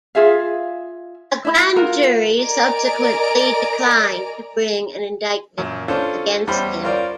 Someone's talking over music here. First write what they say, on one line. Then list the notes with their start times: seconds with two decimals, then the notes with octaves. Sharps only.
A grand jury subsequently declined to bring an indictment against him.
0.15 F4 G#4 E5 F5
1.45 E4 B5
1.76 F4 F#4 A#4
2.40 A#4 D5 D#5 G#5 A#5 D7
5.58 F#2 A#2
5.88 C#4 D4 F4 A4 C5
6.47 E2 G3 C#4 C5 B5
6.83 C#4 F4 A#4 C5 D5